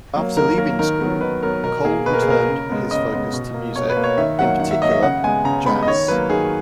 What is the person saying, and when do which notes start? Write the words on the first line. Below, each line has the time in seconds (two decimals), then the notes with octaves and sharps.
After leaving school, Cole returned his focus to music; in particular, jazz.
0.15 F#3 A#3
0.37 D#3 A#4
0.58 F#3 A#3 A#4
0.79 D#3 A#4
1.00 F#3 B3
1.21 D#3 B4
1.43 F#3 B3 A#4
1.64 B2 A#4
1.85 A#3 G#4
2.06 B2 B4
2.14 A#4
2.22 G#4
2.27 A#3 A#4
2.49 C#3
2.70 G#3 B3
2.91 C#3 D#5
3.13 G#3 B3
3.33 B2
3.54 A#3
3.76 B2 C#5
3.90 B4
3.97 A#3
4.04 C#5
4.18 D#3 E5
4.39 F#3 A#3 F#5
4.60 D#3 F#5
4.71 E5
4.82 F#3 A#3 D#5
4.92 E5
5.03 C#3 F#5
5.24 G#3 B3 G#5
5.44 C#3 A#5
5.66 G#3 B3 B5
5.83 D#5
5.87 D#3 C#5
6.08 F#3 A#3 B4
6.30 D#3 G#4